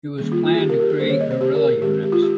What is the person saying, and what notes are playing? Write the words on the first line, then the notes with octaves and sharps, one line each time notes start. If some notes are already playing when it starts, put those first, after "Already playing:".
It was planned to create guerrilla units.
D#3 G3 A#3 C#4 G#4
F4
F4
G#4
G4
A#4
G4
G#4
D#3 G3 A#3 C#4 C5
C#5
D#5
C5
G4
A#4
G#4
D#3 G#3 C4 G4
G4
F4
G4